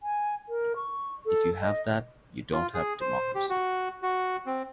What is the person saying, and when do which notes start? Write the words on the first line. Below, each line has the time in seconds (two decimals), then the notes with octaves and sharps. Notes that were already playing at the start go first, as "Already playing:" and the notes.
If you have that, you don't have democracy.
0.03 G#5
0.49 A#4
0.76 C#6
1.26 A4
1.62 D#5
2.53 F4
2.74 G#4
3.01 C5
3.35 G4
3.50 F#4
4.03 F#4
4.46 C4